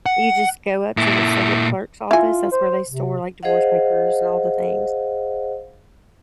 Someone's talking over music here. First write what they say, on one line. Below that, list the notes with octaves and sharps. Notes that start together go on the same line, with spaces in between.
you just go up to the circuit clerk's office- that's where they store, like, divorce papers and all the things-
F#5
A#2 E4
E4 F4 G#5
C5
C3
G#4 C5 D#5 F5 F#5